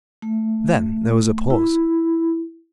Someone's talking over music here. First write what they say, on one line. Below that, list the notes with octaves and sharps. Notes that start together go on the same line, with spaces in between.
Then there was a pause.
A3
E4